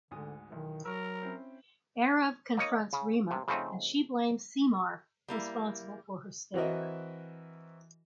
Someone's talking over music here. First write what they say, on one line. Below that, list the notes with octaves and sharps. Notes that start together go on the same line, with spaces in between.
Aarav confronts Reema and she blames Simar responsible for her stare.
D2 G#2 D3 D#6
B1 D#3 E3
F#3 A#4 C#6 E6
C4 C#4 E4
A#3 D#4 C#5 D#5
C#3
C3
C#3 F3 A3 C4 D#4
G3 A#3 E4
E3 C4 F#4 A#4 D#5 E5